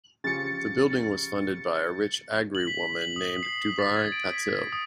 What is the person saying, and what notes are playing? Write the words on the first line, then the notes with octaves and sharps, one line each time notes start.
The building was funded by a rich Agri woman named Deubai Patil.
C#3 F3 G4 A6 C#7
F#7
B6
F#7
D#6
C7
B6
A6
G#6
D7
B6
D#6